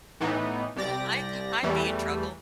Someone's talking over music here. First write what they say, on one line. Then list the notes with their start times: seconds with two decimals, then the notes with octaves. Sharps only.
I'd I'd be in trouble.
0.20 A2 E3 B3 D#4
0.76 C2 G4 D5 A#6
1.63 E2 E3 G3 A3